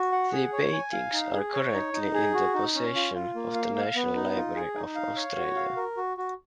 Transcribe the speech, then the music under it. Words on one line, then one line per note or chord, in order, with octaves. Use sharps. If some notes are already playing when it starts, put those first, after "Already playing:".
The paintings are currently in the possession of the National Library of Australia.
Already playing: F#4
F#5
G#4
C#5
G#5
F5
D#4
G#4
C#5
D#4
D#4
G#4
F#4
D#4
C#4
F4
F4
A#3
F5
F5
B3
D#4
F4
G#4
D#4
F5
C#5
F#4
F5
A#4
F#4
F#4